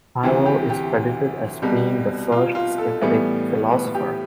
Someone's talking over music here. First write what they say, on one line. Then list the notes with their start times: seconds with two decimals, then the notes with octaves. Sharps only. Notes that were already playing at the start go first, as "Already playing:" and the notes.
Pyrrho is credited as being the first Skeptic philosopher.
0.23 D2 C3 E3
0.46 G4
0.70 G4
1.62 C2 B2 G3
2.32 F4
2.55 F4
2.78 A4
3.02 A2 E3 G3 B3
3.71 B4
3.95 G4